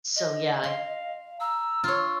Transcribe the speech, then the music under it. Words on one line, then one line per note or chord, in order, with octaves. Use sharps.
So, yeah I
D#5
F5 C6
A#5 E6
F4 C#5